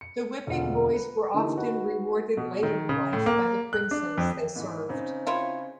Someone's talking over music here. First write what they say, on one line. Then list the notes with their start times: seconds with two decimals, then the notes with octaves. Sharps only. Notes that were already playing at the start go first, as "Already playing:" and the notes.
The whipping boys were often rewarded later in life by the princes they served.
0.01 C#7
0.47 E1 D2 F4 F#5
0.94 B4
1.34 D3 E3 A#3 D#4 E4 G4
1.58 D#4 F#4 B4
2.37 B2
2.63 D#3
2.89 C#3
3.13 A2
3.26 A#3
3.73 F#6
3.91 D4
4.18 F2
4.56 G#2 E3
4.89 C#3 C4 D#4
5.27 E4 F4 C#5